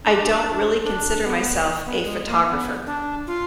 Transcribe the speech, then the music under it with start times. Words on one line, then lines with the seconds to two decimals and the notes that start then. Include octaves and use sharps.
I don't really consider myself a photographer.
0.04 D4
0.84 D4
1.25 B3
1.86 B3
2.05 G#3
2.26 A#3
2.46 B3
2.86 D4
3.27 F4